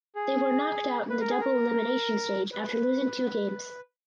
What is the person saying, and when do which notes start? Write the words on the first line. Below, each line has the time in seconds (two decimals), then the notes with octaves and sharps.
They were knocked out in the double elimination stage after losing two games.
0.15 G#4
1.10 B4
1.20 A#4
1.30 G#4
1.40 A#4
2.53 B4